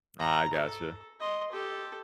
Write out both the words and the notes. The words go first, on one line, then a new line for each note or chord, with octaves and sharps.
I gotcha.
A#5
A4
D#5 C6
G4 A4